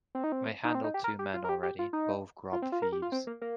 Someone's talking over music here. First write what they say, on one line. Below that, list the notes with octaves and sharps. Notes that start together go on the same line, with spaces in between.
They handled two men already, both grub-thieves.
C4
D#4
C4
D#4
C4
D#4
G4
A#4
G4
F4
A#4
G4
G4
F4
D#4
F4
C4
F4
A#4
G4
F4
C4
A#3
A#3